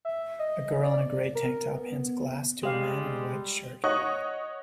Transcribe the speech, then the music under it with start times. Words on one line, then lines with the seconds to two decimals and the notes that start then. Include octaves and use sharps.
A girl in a gray tank top hands a glass to a man in a white shirt.
0.05 E5
0.39 D#5
0.83 D5
1.35 A#4
1.71 B3
2.63 G3 G#3 G4 F5
3.84 C#5 D#5 F#5 C#6 D#6 F#6